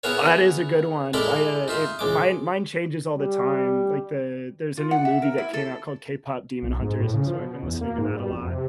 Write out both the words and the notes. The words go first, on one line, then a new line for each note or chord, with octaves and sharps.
Oh, that is a good one. I, uh, it mine mine changes all the time. Like, the there's a new movie that came out called K-Pop Demon Hunters, and so I've been listening to that a lot.
B3 E4 F#4 G#4 A#4 C#5
G#3 E4 A4 A#4 D5 B5
D#4 F4 E5
C#2 G#3 D6
G3
F4
F#5
E5
A#4
E4
A4
B1
G#2
A2
C#3
F3
B2
E2
A#3
G#2
G3
F2
C3